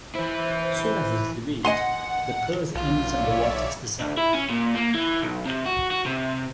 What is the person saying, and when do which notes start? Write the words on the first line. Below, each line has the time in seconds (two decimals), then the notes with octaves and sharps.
As soon as this is revealed, the curse ends and the vortex disappears.
0.15 E3 E4 C5
1.65 D#5 F#5 G#5 C6
2.75 B1 F4
3.07 C#5 D5 E5 F5
4.00 D2
4.17 E4
4.34 C#4
4.49 A#2
4.75 A#3
4.94 E3
5.22 B1
5.45 C3
5.65 F#4
5.91 F#4
6.06 C3